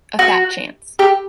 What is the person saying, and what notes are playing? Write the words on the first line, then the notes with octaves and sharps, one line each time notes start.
A fat chance!
F#4
G4